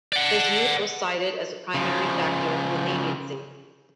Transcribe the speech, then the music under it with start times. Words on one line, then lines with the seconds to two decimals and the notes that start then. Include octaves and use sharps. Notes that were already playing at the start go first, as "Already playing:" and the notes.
His youth was cited as the primary factor for leniency.
0.13 D5 F#5
1.74 C#3 F3